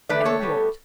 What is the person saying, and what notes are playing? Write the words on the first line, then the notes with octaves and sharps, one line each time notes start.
"And what?"
E2 D3 A3 B4 D5
A4 C#5
A2 G3 B3